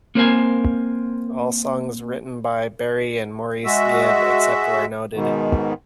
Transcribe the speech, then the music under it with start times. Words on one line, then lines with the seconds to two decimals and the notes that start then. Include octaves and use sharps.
All songs written by Barry and Maurice Gibb, except where noted.
0.15 A#3 C4 A#4 C5 F5 G#5
3.64 G#3 F#4 E5
5.14 G#2 B2 D#3